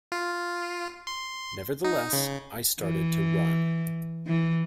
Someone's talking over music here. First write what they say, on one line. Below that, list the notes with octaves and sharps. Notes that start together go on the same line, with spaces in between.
Nevertheless I started to run.
F4
C6
D#4
C#3
E3
E3